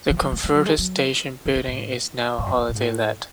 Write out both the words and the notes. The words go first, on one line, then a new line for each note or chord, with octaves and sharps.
The converted station building is now a holiday let.
E3
F#3
A3
G#3
F#3
G#3
F#3
D#3
C#3
A2
G#2
F#2
G#2
A2
G#2
A2